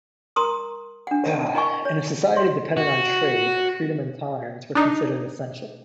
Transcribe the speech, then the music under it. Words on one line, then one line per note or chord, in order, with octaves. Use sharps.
In a society dependent on trade, freedom and tolerance were considered essential.
A#4 A#5 C6 D#6
D4 F#5
E4 A#4 D#5 G#5 C#6
C#5
C#5 C6
F#4
D4 D#4